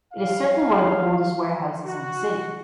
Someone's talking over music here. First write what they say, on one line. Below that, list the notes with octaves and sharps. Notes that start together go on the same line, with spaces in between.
It is certainly one of the oldest warehouses in the city.
F5
F#4